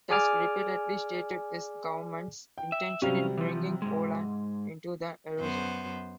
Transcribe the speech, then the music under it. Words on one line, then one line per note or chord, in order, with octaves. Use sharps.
Tusk repeatedly stated his government's intention in bringing Poland into the Eurozone.
G#4 D5 G#5 D6 F6
G5
E5
C3 F#3 G3 C#4 F5
E3 F3
G#2 C#3 G#3
F#2 B3 C5